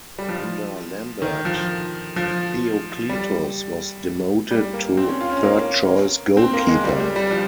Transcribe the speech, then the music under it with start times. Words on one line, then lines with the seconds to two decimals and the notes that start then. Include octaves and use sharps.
Under Lambert, Theoklitos was demoted to third-choice goalkeeper.
0.19 G3
0.29 F3
1.22 D#3
1.45 F3
2.16 F3
3.09 G3
4.51 G3
4.73 A#3
4.97 C4
5.09 C#4
5.21 F4
5.32 C#4
5.43 A#3
6.37 C4
6.54 A#3
6.68 G#3
6.84 G3
7.00 G3
7.16 G3
7.31 F3